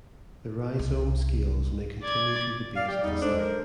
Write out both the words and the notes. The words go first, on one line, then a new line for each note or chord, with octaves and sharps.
The rhizome scales may continue to the base of the stipe.
C2
D5 G#6
D5 F5
G4
E2 G3 D#4
G#3 D4 A4 C5
A#4